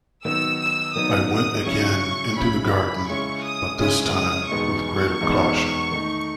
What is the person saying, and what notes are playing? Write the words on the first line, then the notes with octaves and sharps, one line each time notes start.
I went again into the garden, but this time with greater caution.
D#3 F#3 B3 D#4 E6
E6
D#3 F#3 B3 D#4 D#6
D#6
C#3 F#3 C#4 E4 C#6
C#3 F#3 C#4 E4 B5
B5
C#3 G#3 C#4 E4 C#6
D#6
C#3 G#3 C#4 E4 D#6
D#6
E2 B2 G#3 B3 D#4 C#6
E2 B2 G#3 B3 D#4
D#3 A3 D#4